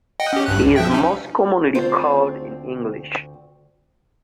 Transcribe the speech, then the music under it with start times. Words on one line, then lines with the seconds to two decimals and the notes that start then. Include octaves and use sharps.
He is most commonly called in English.
0.20 D#5 F#5 G5
0.33 C#4 G4
0.46 G#1 G2 F#6
0.62 C#2
0.76 F3 E5 G5
0.91 C#4 D#4
1.75 D2 C4 F4 C5 F5